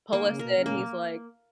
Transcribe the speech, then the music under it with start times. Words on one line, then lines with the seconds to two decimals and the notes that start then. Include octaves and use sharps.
pull us in. He's like
0.13 D#3 A#3
0.26 C#3
0.38 B2 A#4
0.51 C#3
0.65 A#2 A#3
0.74 B2